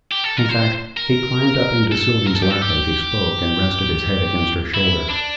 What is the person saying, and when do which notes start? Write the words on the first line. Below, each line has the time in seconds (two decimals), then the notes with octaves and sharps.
In fact, he climbed up into Sylvie's lap as he spoke, and rested his head against her shoulder.
0.11 G4
0.24 A4
0.37 A#4
0.49 C5
0.97 A#4
1.92 A4
2.27 A#4
2.35 A4
2.42 G4
2.51 A4
2.62 G4
4.74 E4
5.10 D4